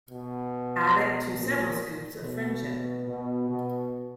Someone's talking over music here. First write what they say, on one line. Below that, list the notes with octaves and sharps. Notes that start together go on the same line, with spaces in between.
Add to it several scoops of friendship.
B2
A#2
B2
B2
B2